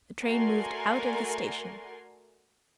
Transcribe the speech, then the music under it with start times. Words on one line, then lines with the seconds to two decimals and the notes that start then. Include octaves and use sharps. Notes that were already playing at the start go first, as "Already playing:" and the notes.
The train moved out of the station.
0.22 A3 F#4 A#4 D5 G#5 C6